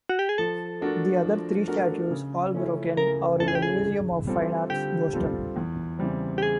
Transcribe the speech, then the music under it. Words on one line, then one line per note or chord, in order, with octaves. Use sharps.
The other three statues, all broken, are in the Museum of Fine Arts, Boston.
F#4
G4
G#4
F3 A4
A3 D4 F#4 A#4
F3
A3 D4 F#4 A#4
C#3
F3 A3 C#4 E4
C#3 A#4
F3 A3 C#4 E4 A4
G#4
G4
G#4
D3
G3 C4 F4 A4
D3 G4
G3 C4 F4 A4
E2
C#3 E3 G3 C4
G4
G#4